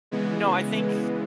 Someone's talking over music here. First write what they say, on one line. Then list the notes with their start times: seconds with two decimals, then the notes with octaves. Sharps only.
no, I think
0.11 C#3 E3 G#3 B3